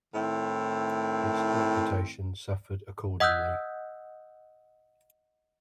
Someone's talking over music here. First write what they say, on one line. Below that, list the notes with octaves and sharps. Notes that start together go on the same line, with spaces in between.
Its reputation suffered accordingly.
A2 D#3 C4 E4
D#5 F#5 D#6 E6 F#6 G6